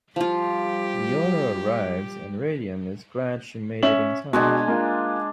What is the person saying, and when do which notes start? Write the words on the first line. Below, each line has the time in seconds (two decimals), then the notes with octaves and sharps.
Viola arrives and Radium is glad she made it in time.
0.16 F3 G3 F4 G4
3.83 C#4 E5 F#7
4.33 B2 G#3 D4 G#5
4.68 A#3 F4